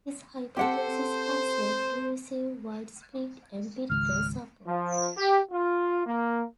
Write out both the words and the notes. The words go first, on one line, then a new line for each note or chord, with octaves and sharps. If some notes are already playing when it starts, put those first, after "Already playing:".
His hypothesis has yet to receive widespread empirical support.
C4 G4 A4 C5 F#5
G#1 C#2 F6
F3
G4
F4
A#3